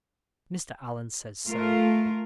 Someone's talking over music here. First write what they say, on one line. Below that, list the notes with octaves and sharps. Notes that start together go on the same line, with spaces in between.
Mr. Allan says so.
A3 F4 A#4